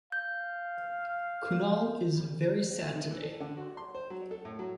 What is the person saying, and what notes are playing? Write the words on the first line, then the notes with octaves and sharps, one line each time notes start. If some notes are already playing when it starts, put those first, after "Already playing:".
Kunal is very sad today.
F5 G6
E5
D#3
E3
A4
D3
F#4
C6
C5
F#3
A4
A2
F#3